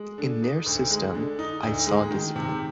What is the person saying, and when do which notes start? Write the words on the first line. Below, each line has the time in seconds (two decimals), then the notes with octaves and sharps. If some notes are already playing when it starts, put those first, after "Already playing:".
In their system, I saw discipline.
Already playing: G#3
0.18 D3
0.42 D#4
0.66 D2
0.90 G#3
1.15 D3
1.39 D#4
1.63 D2
1.86 G#3
2.11 D#3
2.36 C3